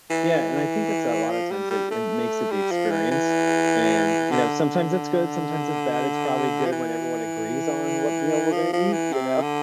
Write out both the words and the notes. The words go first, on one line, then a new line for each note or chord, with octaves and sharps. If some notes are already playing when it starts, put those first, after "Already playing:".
Yeah, and I think that's a lotta times it it makes it the experience and, you know, sometimes it's good, sometimes it's bad. It's probably good when everyone agrees on what meal we're gonna eat, you know?
E3
F3
G3
G3
A3
G3
F3
E3
E3
D3
F3
E3
F3
F3
E3
C3
D3